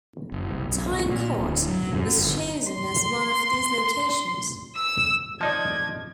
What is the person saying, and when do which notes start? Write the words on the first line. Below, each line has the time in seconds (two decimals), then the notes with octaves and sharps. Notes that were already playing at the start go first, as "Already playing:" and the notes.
Tyne Cot was chosen as one of these locations.
0.32 F#1
0.50 C2
0.69 B1
1.10 A#2
1.39 D1
1.68 F#3
1.94 F#2
2.17 G1
2.71 C6
4.76 E6
5.41 F3 D#4 D5 D#5 A5 G#6